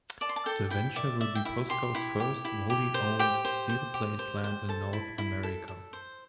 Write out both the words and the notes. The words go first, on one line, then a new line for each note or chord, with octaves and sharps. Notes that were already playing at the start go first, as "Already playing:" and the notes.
The venture will be Posco's first wholly owned steel-plate plant in North America.
D5 A5
C6
A5
A4 G5
E4 G5
D5 E5
D5 E5
G5
E4 E5
G4 C6
E4
G4
E4
G4
C5
G4 G5
C5
C5
G4
C5
C5
A4 A5
E4
E4
A4
A4
C5